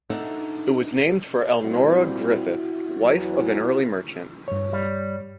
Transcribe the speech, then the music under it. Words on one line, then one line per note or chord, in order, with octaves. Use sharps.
It was named for Elnora Griffith, wife of an early merchant.
D4 D#4 A4 E5 F#5
A#2 G3 C4 E4 F#4
E2 E3 F#3
G2 C#5
G3